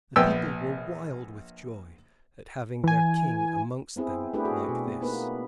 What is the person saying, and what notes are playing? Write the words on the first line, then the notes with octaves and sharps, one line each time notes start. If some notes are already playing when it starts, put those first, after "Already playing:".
The people were wild with joy at having their King amongst them like this.
A#1 B3 G5 E6
E3 G#5
B3 C4 E4 G#4
A3 D4 E4 G4 G#4 B4
F#4 G#4
B2
B3
A#3 B3 D#4 B4